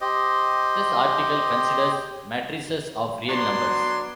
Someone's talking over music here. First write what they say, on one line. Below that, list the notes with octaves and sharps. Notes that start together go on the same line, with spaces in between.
This article considers matrices of real numbers.
G4 C5 D#5
F#3 B3 D4 C6